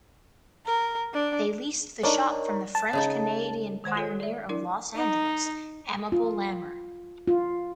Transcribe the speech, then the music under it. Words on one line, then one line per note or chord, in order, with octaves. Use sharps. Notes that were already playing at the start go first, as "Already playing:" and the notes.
They leased the shop from the French Canadian pioneer of Los Angeles, Amable Lamer.
A#4
D4
D4 D#4 A#4 C#5
A5
C#3 G#3 D#4
D#3 G#3 C5 F#5
F4 A4 C#5
D5 E5
D4 E4 A#4 D5
D#4
F4
F4